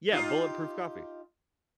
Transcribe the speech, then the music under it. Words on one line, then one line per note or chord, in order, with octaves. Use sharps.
Yeah, bulletproof coffee.
D#4 F4 G4